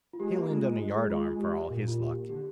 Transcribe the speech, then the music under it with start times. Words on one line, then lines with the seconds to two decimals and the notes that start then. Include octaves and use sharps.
He'll end on a yardarm for all his luck.
0.13 F4
0.20 G#3 G4
0.34 A#3
0.49 G#3 F4
0.95 G#4
1.10 F4
1.40 G4
1.70 A#2
1.88 F4
1.99 G4
2.29 D3 G4